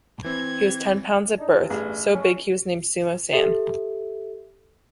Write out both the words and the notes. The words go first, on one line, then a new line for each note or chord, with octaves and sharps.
He was ten pounds at birth, so big he was nicknamed "Sumo Sam".
E3 C4 G#6
D4 D#4
G2
A1 G#4
C#4
G4 A4 E5